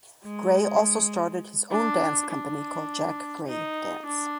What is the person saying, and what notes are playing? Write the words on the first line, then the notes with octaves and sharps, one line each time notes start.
Gray also started his own dance company called Jack Gray Dance.
G#3
D4
D4
D#4
D4